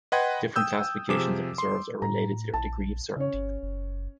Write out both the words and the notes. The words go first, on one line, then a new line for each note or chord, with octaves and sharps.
Different classifications of reserves are related to their degree of certainty.
B4 D#5 F#5 G5 C6 G#6
G5 D#6 E6 G6
C3 F3 G#4 D6 E7
C6
A2 A#5
A#1 A5
C#3 C#4 C#5
G1
F#1